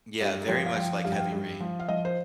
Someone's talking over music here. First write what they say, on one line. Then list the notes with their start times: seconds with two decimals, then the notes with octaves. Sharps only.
Yeah, very much like Heavy Rain.
0.21 G2
0.42 A#4
0.48 F3 G4
0.66 F5
0.77 F3 G5
1.04 G2 F5
1.12 G5
1.20 F5
1.33 G2
1.60 F3
1.79 F5
1.89 F3 D#5
2.05 C5